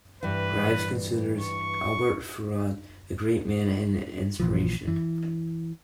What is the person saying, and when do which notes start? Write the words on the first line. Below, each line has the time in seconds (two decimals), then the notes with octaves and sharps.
Rives considers Albert Feraud a great man and an inspiration.
0.23 G2 E3 B4
1.38 C#6
4.40 A#1 A#2 E3 F3
4.88 E3